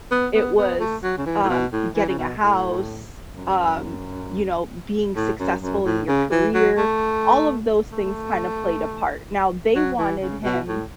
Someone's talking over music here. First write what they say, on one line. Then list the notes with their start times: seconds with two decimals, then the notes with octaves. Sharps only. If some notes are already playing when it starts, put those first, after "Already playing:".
it was, um, getting a house, um, you know, being successful in your career, all of those things kind of played a part. Now, they wanted him
0.12 B3
0.35 B3
0.58 B3
0.80 A3
1.03 F#3
1.18 C#3
1.26 E3
1.44 A2
1.49 B2
1.73 A2
1.96 E3
2.09 C#3
2.18 B2
2.41 A2
3.33 F#2
5.16 A2
5.40 F#2
5.62 F#2
5.85 A2
6.08 C#3
6.31 E3
6.54 F#3
6.78 A3
7.92 A3
9.76 F#3
9.98 E3
10.22 C#3
10.44 B2
10.68 A2